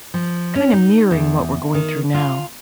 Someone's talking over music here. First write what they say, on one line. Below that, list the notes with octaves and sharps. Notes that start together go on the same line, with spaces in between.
kinda mirroring what we're going through now,
F3
C#4
D#4
E2
D#3
F4